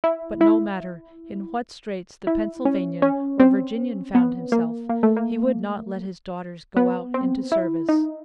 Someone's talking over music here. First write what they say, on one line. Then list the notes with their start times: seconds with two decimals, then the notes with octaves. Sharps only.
But no matter in what straits the Pennsylvanian or Virginian found himself, he would not let his daughters go out into service.
0.04 E4
0.41 E4
2.27 E4
2.65 C#4
3.02 C#4
3.40 C4
4.15 B3
4.52 A#3
4.89 A#3
5.03 A3
5.16 A#3
6.77 B3
7.14 C4
7.52 E4
7.89 D#4